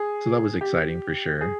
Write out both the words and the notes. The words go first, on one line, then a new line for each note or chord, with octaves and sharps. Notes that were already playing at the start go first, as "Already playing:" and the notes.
So that was exciting, for sure.
Already playing: G#4
G4
G#4